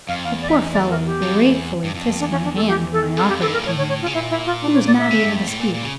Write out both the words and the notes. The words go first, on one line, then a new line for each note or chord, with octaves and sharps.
The poor fellow gratefully kissed my hand when I offered it to him--he was not able to speak.
F2 F5
E2 F5
D5
E5
D5
A#4
G4
F2
E2
G2
F2
E2 D4
C#4
D4
A4
G4
A4
F2 A4
G4
G2 A4
A#2 A#4
A2 C#5
C#5
C#5
F4
C#3
A#2 E4
E4
F4
D4
C#5
D5
E5
C#3
G2
F2
A2
A#2
A#2
C#3